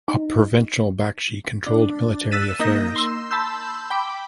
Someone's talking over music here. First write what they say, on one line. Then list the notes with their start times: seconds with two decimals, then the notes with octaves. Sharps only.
A provincial bakshi controlled military affairs.
0.08 D#4
1.67 D4
2.31 E6 F#6 A6 B6 D#7 E7
2.59 A#3 D#4 G6 A#6
2.96 C6 E6
3.31 A5 B5 C6 E6 G6
3.90 G5 B5 D6